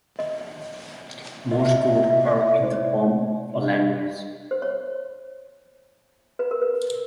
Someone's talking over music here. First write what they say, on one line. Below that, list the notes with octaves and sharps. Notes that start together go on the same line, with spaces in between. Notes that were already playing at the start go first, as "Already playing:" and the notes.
Morse Code or in the form of a language.
D#5
D#5
E5
D#5
E5
D#5
E5
D#5
E5
D#5
E5
D5
C5
C#5
D5
D#5
C5
C#5
B4
A#4
B4